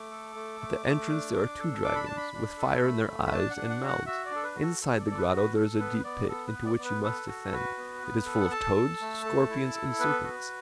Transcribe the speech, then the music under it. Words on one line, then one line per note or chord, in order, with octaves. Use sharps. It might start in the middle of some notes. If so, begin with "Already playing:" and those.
At the entrance there are two dragons, with fire in their eyes and mouths; inside the grotto there is a deep pit into which you must descend, it is full of toads, scorpions, and serpents.
Already playing: A3 D6
A4
A3
A3
A3
D4
D4
A4
D4 D6
B5
D4 A5
B5
D4
A4
A3
A3
B5
D4 A5
F#5
D4
F#5
F#4
F#5
F#4 E5
D5
D4 A4
B4
F#4
A4
A4
D5
A4
D5
B4
F#4
B4
A4
B3 B4
B3 D5
B3 A4
B4
B3
D5
B3
B4
A4 B4
F#4
F#4 B4
B3
B3
A4
F#5
A4 A5
A4
A3
A4
E4
A4
B3 B4
F#4